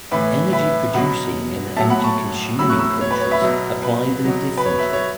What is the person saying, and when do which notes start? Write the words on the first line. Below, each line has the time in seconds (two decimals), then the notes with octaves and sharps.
Energy producing and energy consuming countries apply them differently.
0.11 A2 E3 B4 E5
0.52 B4 E5
0.94 B2 F#3 F#5 B5
1.76 A2 F#3 E5 A5
1.90 F#5 B5
2.04 A5 C#6
2.59 A2 F#3 B5 E6
2.69 C#6 F#6
2.79 B5 E6
3.01 C#5
3.11 B4
3.20 C#5
3.31 B4 E5
3.42 B2 F#3
3.83 B4
4.25 B2 F#3
4.57 B4
4.65 C#5
4.79 B4 E5
4.93 C#5